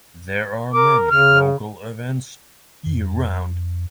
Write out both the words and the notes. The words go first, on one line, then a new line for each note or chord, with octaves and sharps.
There are many local events year-round.
A#4 D6
C#3 F6
F2